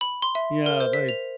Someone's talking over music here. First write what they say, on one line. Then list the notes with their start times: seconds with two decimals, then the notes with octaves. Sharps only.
Yeah, they
0.01 B5
0.22 C6
0.35 E5
0.66 A#4
0.80 C5
0.93 B6
1.09 F7